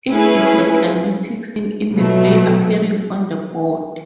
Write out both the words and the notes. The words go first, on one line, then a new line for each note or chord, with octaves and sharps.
It is the climactic scene in the play appearing on the board.
A3 C#4 E4 G#4 B4
B2 F#3 A3